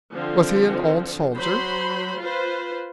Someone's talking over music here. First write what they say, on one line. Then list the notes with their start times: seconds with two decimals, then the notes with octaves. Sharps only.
"Was he an old soldier?"
0.13 D3 F3 C4
1.36 F#3 C5 B5 C6
2.19 F4 B4 C5